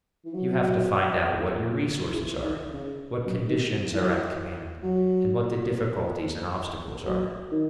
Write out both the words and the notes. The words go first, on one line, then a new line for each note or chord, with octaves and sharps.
You have to find out what your resources are, what conditions are at command, and what the difficulties and obstacles are.
E3
F#3
E3
D#3
C#3
F#2
D#3
E3
E3
F#3
E3
F#3
F#3
D#3